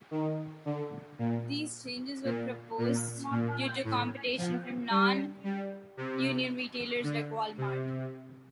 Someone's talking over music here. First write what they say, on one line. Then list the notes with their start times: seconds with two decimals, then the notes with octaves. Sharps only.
These changes were proposed due to competition from non-union retailers like Wal Mart.
0.11 D#3
0.65 D3
1.19 A#2
2.24 A#2
2.78 A#2
3.31 A#2
3.84 A2
4.38 F3
4.90 G3
5.44 G3
5.97 C3
7.03 D3
7.58 C3